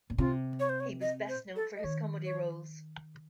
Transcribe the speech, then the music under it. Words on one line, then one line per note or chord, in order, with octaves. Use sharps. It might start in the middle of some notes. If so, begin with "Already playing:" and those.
He was best known for his comedy roles.
A#2
C3 F4
C#5
C5
C#5
D#5
C5
A4
D#5
D#3 C#5
C#5